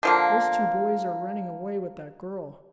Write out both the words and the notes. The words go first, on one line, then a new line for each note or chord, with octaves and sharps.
"Those two boys are running away with that girl!"
D3 F3 A#3